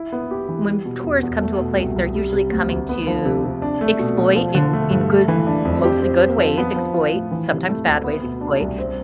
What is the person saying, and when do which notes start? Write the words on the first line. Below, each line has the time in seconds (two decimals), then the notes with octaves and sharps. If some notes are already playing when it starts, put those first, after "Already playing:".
when tourists come to a place, they're usually coming to exploit in in good, mostly good ways, exploit sometimes bad ways, exploit,
Already playing: E4
0.12 B3
0.31 G4
0.49 E3
0.68 G3
0.85 B2
1.04 E2
1.23 E2
1.41 A3
1.60 B2
1.78 C2
1.96 C2
2.15 G3
2.33 C3
2.52 D2
2.70 D2
2.89 B3
3.07 F3
3.25 C3
3.44 C3
3.62 D4
3.81 A3
3.99 B2
4.17 B2
4.36 F3
4.55 D3
4.73 A3
4.91 G2
5.10 A3
5.28 E3
5.47 D4
5.65 F2
5.84 G4
6.02 C4
6.20 C5
6.38 F3
6.58 B3
6.76 F3
6.94 F4
7.13 A2
7.31 E3
7.50 C3
7.68 A3
7.86 D2
8.04 B3
8.23 B2
8.41 D4
8.60 C2
8.78 C4